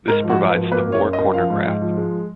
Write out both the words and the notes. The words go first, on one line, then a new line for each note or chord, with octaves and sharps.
This provides the four corner graph.
G#2 A#4
F3
F#4
F3
B4
G#1
A#3 B4
F#1
C#5
F#1
D#5
F#1
F3 F5
G#2
G#2
F3
G#3